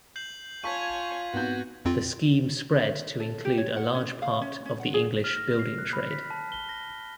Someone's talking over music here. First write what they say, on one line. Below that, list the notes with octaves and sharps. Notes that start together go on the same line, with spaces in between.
The scheme spread to include a large part of the English building trade.
G6 C7 F#7
F4 C#5 G#5 A5 C#6 G#6 B6 D#7
G#1 B3 F#4 G6
F2 C4 F4
A4
G4
C#5
F#5
C#4
F5
C#4
C#4
F#5
G#4
F6
A#6
C7
F#6
B5
B6
A5
G7
A#6